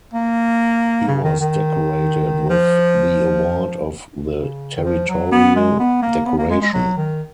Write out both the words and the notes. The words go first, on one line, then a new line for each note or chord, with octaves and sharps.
He was decorated with the award of the Territorial Decoration.
A#3
C#3
D#3
D#3
F3
C#3
D#3
F3
F#3
B3
G#3
B3
A#3
B3
A#3
G#3
G#3
F#3
D#3